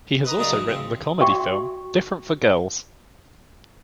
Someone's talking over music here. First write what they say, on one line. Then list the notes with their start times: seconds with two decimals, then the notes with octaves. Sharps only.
He has also written the comedy film "Different for Girls".
0.25 B4 D#5 A#5
0.37 F#2 C#3 D4 D#4 D#5 A#5
0.52 E3
0.67 C#3 C4
1.20 F#4 E5 G5 C6 C#6